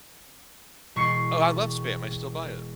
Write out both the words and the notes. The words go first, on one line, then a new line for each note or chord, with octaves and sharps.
Oh, I love Spam. I still buy it.
E1 C#6 C7 C#7